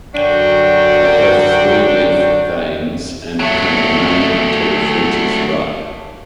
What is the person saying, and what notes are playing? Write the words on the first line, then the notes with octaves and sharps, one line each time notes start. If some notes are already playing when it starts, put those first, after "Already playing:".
They have three leaf veins and can remain until the fruit is ripe.
F#2 D3 F#3 D4 F#4 G5
F#3 A3